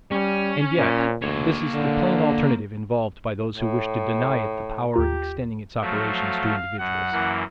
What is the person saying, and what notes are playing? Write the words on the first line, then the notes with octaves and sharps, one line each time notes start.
And yet this is the plain alternative involved by those who wish to deny it the power of extending its operations to individuals.
G3 C#4
A#2
D2 A#3 C#5
D3
A2
D#2 F4 G4 A#5
F3 F#3 A3 F5
F#2 F#5
F#2 E3 A#3